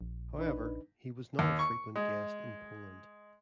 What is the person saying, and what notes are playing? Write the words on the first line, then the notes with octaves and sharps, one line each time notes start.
However, he was not a frequent guest in Poland.
A#1
D4 D#4 B4
D#2
C#6
G#3